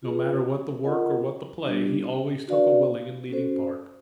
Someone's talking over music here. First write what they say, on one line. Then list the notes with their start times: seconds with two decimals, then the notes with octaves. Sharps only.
No matter what the work or what the play, he always took a willing and leading part.
0.03 F4 G#4 B4
0.84 F4 A#4 D#5 F#5
1.66 G3 B3 D4 G4
2.48 D4 F#4 B4 D5 F5
3.30 C#4 F#4 A4 C5